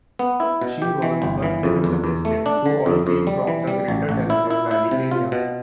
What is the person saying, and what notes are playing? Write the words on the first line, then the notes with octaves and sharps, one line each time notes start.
She was one seven contestants who all came from the greater Delaware Valley area.
B3
E4
B2
G4
E3
G1
E3
F2
E2
E2
A3
D4
D3
F2
F2
G3
E3
G3
A1
A1
E4
E4
E4
C3
F4
B2